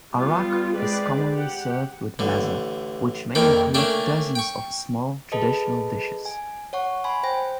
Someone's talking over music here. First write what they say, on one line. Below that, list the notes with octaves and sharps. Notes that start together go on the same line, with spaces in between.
Arak is commonly served with mezza, which may include dozens of small traditional dishes.
G3 B3 F4
G#3 C4 B4 D5
G4 F#5
A1 D3
A#1 F2 A#2 D#3 A#3 G5
A3 A#3 C#4 D4 G5 A5
G5 C#6
G#4 A4 B4 D#5 A5
G#5
C#5 F#5 C#6
G#5 B5 C6
C5 G5 A#6